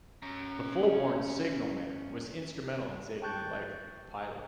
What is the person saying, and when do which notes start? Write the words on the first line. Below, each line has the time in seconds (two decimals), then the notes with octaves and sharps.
The Fulbourn signalman was instrumental in saving the life of the pilot.
0.22 C#4 A#5
3.22 G5 A5 C#6 F#6 G6 A6